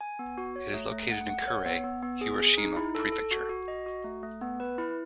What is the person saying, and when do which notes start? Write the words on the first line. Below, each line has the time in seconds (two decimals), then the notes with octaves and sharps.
It is located in Kure, Hiroshima prefecture.
0.01 G#5
0.19 B3
0.38 F#4
0.56 C#5
0.74 A3
0.92 A3
1.11 F#5
1.29 F#5
1.48 C#5
1.66 B3
1.84 B3
2.02 B3
2.21 G#4
2.40 G#4
2.58 D#4
2.76 E4
2.95 A4
3.12 A4
3.31 F#4
3.49 F#4
3.68 D#5
3.86 F#4
4.04 A3
4.23 A3
4.41 B3
4.60 B4
4.78 E4